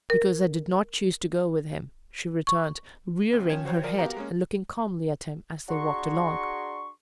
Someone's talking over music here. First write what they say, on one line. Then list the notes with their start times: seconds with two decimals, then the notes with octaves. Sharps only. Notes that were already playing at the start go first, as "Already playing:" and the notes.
"Because I did not choose to go with him," she returned, rearing her head and looking calmly at him as they walked along.
0.10 A#4
2.47 C#6
3.32 D2 C4
3.49 F3 C#4 G5 G#6 E7
3.65 F#4 C5 C#5 G5
3.83 F3 A#4 D5
3.99 B3 F#4 G4 A#4 F5 A#5
4.17 G#3 A#3 C#4
5.69 D4 F#4 G#4 A#5 C6 C#6